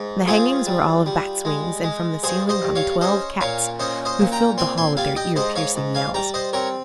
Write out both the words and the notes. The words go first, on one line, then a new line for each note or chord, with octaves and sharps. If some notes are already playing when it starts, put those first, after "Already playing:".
The hangings were all of bats' wings, and from the ceiling hung twelve cats, who filled the hall with their ear piercing yells.
Already playing: G#2
C4 F4 G#4
G3
G3
G#3
G#3
G2 G#4 C5
C5 D#5
G2
C#5 F5
C#4 C5 D#5
A#2 C#5 F5
C#4 C5 D#5
C5 D#5
A#2
G5 A#5
C4 G#5 C6
G#5 C6
G3 F5 G#5
D#5 G5
G#2 C5 D#5
C#5 F5
G#2
F5 G#5
G3 G5 A#5
C5 D#5
C4 A#4 C#5